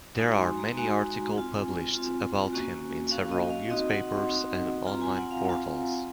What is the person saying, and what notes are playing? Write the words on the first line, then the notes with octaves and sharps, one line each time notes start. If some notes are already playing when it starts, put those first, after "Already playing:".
There are many article published about him in several newspapers and online portals.
G#3 D#4 F#4 G#5
C6
A#5
G#3 D#4 F#4 G#5
C4 F4
C4 F4
A#3 C#4 F#4
A#3 C#4 F#4 F5
D#5
F5
C4 D#4 F#4 D#5
F#5
C6
C4 D#4 F#4
C4 F4 A#5
G#5
F#5
F5
C4 F4